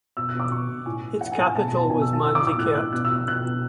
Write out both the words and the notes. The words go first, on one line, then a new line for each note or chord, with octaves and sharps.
Its capital was Manzikert.
B2 E6
F#6
B2 D6
B2 C#6
B2
A2 G#5
E3
E3 F#5
G#5
A2
G#5
B2 A5
A5
B2
A5
B2 G#5
E6
B2
A5
E3 E6
D6
A2
D6
A2 F#6
E6
A2 F#6
B2 F#6
E6
B2
E6
B2 F#6
B2